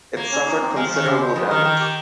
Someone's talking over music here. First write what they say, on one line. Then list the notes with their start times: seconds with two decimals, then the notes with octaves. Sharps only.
It suffered considerable damage.
0.17 A#3 C#5
0.32 C#4
0.46 D#4
0.61 C4
0.76 G#3 F5
0.86 F3
0.91 F5
0.96 D#3
1.06 C#3 G4
1.21 C5
1.36 F2 D#5
1.50 D#3 A#4
1.65 D#3 G5
1.80 G4